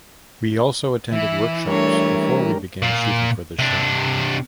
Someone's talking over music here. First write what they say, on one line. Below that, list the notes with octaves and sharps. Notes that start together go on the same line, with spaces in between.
We also attended workshops before we began shooting for the show.
E3 E4
G3 A3 D4 A#4 C#5
A#2
C3 D4